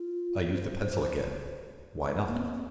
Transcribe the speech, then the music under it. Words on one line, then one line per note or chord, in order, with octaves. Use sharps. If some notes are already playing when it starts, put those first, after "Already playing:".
I used the pencil again: "Why not?"
Already playing: F4
C5
A#3
C4
A#3
C4